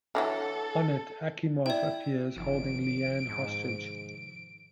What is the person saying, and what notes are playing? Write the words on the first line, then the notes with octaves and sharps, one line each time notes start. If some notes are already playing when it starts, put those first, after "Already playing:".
On it, Akimov appears, holding Lee-Ann hostage.
D3 E3 F#3 A4
E4 D5 G5
G1 C3 D#3 F3 D7
G#2